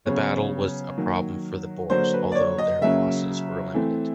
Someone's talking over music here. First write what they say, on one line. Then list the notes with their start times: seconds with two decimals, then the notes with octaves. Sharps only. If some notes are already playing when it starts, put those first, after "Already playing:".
The battle was a problem for the Boers, although their losses were limited.
0.06 C#3 F#3 B3 C#5
0.97 D#3 F#3 A#3
1.90 D3 F#3 A#3 C5
2.13 B4
2.32 D5
2.35 C#5
2.58 D#5
2.81 C#3 F#3 A#3 C#4 E5
3.74 E3 A3 C4